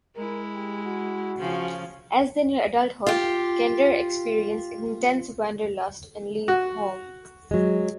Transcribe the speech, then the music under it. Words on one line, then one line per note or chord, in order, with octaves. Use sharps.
As they near adulthood, kender experience intense wanderlust and leave home.
G#3 E4 A#4
G4
F#4
C#3 F3 C#4
F4 G4
F#4
F#3 G#3